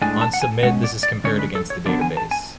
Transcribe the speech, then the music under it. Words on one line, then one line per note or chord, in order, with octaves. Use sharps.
On submit, this is compared against the database.
A2 G#3 D4 G#5
A5
F#5
G#5
B2 G#3 C#4 F#5
D5
D5
D3 G#3 C#4 C#5
B4
A4
C#5
D3 F3 B3 D4 D5
G#5
A5
G#5